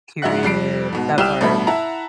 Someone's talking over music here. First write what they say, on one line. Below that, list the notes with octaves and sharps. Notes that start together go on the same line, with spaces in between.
Period, that part.
A#1 G#2 F#4 E5 F#5 F#6
F2 G3 C7 D7
G#2 B2
C2 G4 G5 E6 F6 E7
A1 G2 B2 A3 E5 B5
E4 E5 F#5 A5 A#5